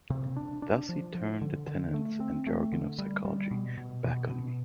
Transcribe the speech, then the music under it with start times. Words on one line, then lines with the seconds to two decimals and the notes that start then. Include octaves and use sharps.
Thus he turned the tenets and jargon of psychology back on me.
0.10 C3
0.36 D4
0.62 D4
0.89 F3
1.15 F3
1.41 D3
1.67 D3
1.94 A3
2.20 C4
2.47 A3
2.72 D3
2.98 G3
3.25 G3
3.51 B2
3.77 B2
4.04 B2
4.30 B2